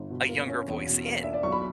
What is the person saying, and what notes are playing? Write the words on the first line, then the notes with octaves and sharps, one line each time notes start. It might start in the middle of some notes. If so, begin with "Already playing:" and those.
a younger voice in
Already playing: G1
B2
A#3
C#4
E2
B2
A#3
D4 E5
D5
B1 C#6
B5